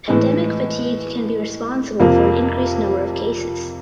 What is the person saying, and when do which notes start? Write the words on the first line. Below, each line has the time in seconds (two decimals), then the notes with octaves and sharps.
Pandemic fatigue can be responsible for an increased number of cases.
0.08 A2 E3 G#3
2.00 F2 C3 F3 A#3